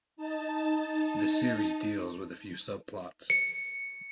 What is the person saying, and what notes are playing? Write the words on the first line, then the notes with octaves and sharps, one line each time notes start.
The series deals with a few subplots.
D#4 A5
C#7